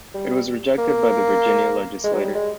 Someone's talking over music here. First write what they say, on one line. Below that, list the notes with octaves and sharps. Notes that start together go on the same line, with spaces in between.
It was rejected by the Virginia legislature.
G3
A#3
G#3
F#3
G3
G#3